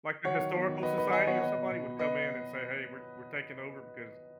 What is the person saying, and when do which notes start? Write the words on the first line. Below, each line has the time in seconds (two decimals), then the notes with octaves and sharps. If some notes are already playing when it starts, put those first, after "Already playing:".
Like, the historical society or somebody would come in and say, "Hey. We're we're taking over because
0.24 F#3 C#5 F#5
0.39 D#3
0.54 B3
0.69 D#3
0.83 F#3 B4 D#5
0.98 D#3 B4 D#5
1.12 D#3 D#5 G#5
1.27 B3 C#5 F#5
1.41 B3 B4 D#5
1.55 B2
1.71 B2
1.86 B2
1.99 B2 B4 D#5